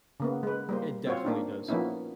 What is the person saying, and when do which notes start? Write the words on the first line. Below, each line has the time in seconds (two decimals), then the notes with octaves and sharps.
It definitely does.
0.20 C#3 A#3 B3
0.43 G#3 B4
0.69 G3 A#3 C5
1.07 C4 F4 F#4 C5 C#5
1.25 A#3 D4 D#4
1.68 F3 A#3 B3 C#4 D#4 E4